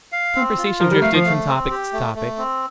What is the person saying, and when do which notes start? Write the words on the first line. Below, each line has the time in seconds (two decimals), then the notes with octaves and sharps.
The conversation drifted from topic to topic.
0.12 F5
0.35 C4
0.58 F4
0.80 F3 A#4
0.91 G3
1.02 A3 F5
1.14 F3
1.25 A3
1.47 C4
1.70 G4
1.93 A3
2.15 A3
2.38 C4